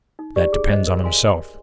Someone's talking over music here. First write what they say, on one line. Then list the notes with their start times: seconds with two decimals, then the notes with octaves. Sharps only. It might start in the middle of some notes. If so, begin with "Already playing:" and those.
'That depends on himself.
0.19 D#4
0.36 G4 D5
0.53 G#4
0.69 C5 D#5
0.87 A#4
1.04 F5 G#5 C6